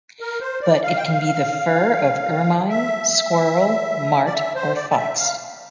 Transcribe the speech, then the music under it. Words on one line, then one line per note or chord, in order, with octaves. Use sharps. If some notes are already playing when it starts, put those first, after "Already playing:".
But it can be the fur of ermine, squirrel, mart or fox.
A#4
C5
D5
F5
G5
F5
E5
E5
D5
E5
C5
D5
D5
E5
F5